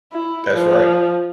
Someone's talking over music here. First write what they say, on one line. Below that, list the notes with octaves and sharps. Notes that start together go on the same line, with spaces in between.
That's right.
E4
F3